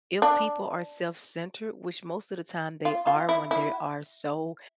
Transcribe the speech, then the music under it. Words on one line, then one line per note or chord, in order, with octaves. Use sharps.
if people are self-centered, which most of the time they are when there are so
D4
F4
F4
E4
E4